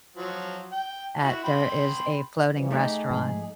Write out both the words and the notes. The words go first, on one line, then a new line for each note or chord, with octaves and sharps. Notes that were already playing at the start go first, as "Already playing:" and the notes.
at there is a floating restaurant
F3 F#3
G5
E4 F#4
G5 B5 C6
E3 F3 G3
A3 D#4 G4 G#4
G#2 F3 G#3